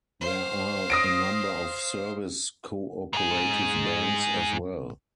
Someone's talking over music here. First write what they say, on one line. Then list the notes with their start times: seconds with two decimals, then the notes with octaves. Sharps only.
There are a number of Service Co-operative Banks as well.
0.21 C5 F5
0.90 D#6 A#6 D7
3.13 G#2 G#4